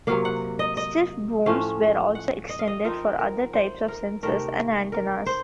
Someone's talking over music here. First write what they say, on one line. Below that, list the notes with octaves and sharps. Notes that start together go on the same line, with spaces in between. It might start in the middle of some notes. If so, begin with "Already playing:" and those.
Stiff booms were also extended for other types of sensors and antennas.
C3 F#3 A#3 F5
F#5
D#5
D#5
A2 F3 A3 C#4 F5
F#5
D#5
F5
D#5
F3 C4 D#4 A#4
A#4
C5
A#4
C3 D#3 A3 A#4
A#4
C5